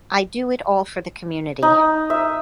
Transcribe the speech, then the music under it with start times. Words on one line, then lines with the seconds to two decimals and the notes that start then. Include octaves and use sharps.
I do it all for the community.
1.62 D#4
2.10 E5